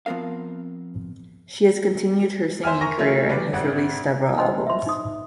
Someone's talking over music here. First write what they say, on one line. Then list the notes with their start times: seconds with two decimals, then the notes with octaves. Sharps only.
She has continued her singing career and has released several albums.
0.06 F3 B3 C4 A#4 F5
2.63 C5 E5 G#5 F6
2.81 A#4 G#5 A#5 C#6 A#6
2.98 F#3 A3 C#4 E4 F4
3.29 G3 B4 D5
3.53 G#1 C3 C4 F#5
4.38 C5 D#5 C6
4.67 E5 C6
4.86 D#4 D#6